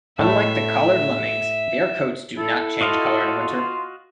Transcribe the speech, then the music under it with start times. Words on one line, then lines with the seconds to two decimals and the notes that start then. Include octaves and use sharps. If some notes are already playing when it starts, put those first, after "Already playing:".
Unlike the collared lemmings, their coats do not change color in winter.
0.19 A2 A3 E5
2.37 E4 A4
2.81 F4 F#4 D#5 F5